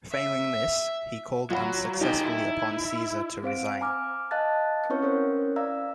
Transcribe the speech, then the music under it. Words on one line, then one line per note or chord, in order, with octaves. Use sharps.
Failing this, he called unsuccessfully upon Caesar to resign.
E5
F#3 F4 F#5 B5
D#4 G4 A4
E4
C4 C5 F5 D7
G#5 A#5 D6 F6
D#5 F5 A5 F#6 A6
C4 C#4 E4 B4 C#5 C#6
C#4 A#4 C5 C#5
D5 F5 A#5 E6